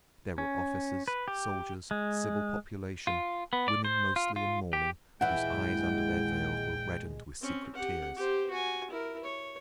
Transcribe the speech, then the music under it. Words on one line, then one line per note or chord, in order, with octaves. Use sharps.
There were officers, soldiers, civil population, women mostly in mourning, whose eyes under their veils were reddened with secret tears.
C#4
B4
G4
G#3
F4
B3
D5
C5
F4
F4
G4
A#1 D#2 E3 G#3 E4 F#5 G5
C4 C#4
G4 F#5
G4 C5
F#4 G#5
E4 A#4
C#5